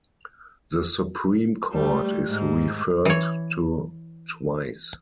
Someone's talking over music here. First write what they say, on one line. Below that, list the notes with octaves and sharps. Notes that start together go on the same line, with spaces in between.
The Supreme Court is referred to twice.
G3 A3
G#2
E3 C#5